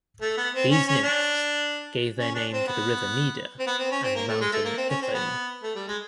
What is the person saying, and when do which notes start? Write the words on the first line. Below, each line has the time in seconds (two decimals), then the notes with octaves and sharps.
These nymphs gave their name to the river Neda and mountain Ithome.
0.21 A3
0.37 B3
0.55 C4
0.71 C#4
0.88 C#4
1.03 D4
2.19 C#4
2.35 D4
2.52 C4
2.67 B3
3.60 C4
3.67 B3
3.79 C4
3.92 C#4
4.04 C4
4.16 A#3
4.28 A3
4.41 G#3
4.53 A3
4.65 A#3
4.78 C4
4.89 C#4
5.02 C4
5.14 B3
5.63 A3
5.75 G3
5.88 G#3